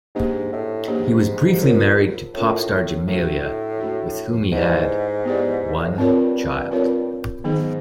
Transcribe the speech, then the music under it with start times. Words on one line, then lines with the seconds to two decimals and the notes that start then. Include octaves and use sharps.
He was briefly married to pop star Jamelia, with whom he had one child.
0.15 G#2 A#3 D4 G4
0.52 A2
0.88 G#2 A#3 D4 G4
1.61 C#4 F4 A#4 C#5
2.34 A2 C#4 F4 A#4 C#5
3.07 A2 A3 D4 F#4
3.80 A3 D4 F#4
4.52 G#2 B3 E4 G4 B4 D5
5.25 B3 E4 G4 B4 D5
5.77 A#2
5.84 A2
5.91 G#2
5.98 G2 C4 F4 A#4 C#5
6.71 C4 F4 A#4 C#5
7.44 G#2 D#3 F#3 B3 D#4 G#4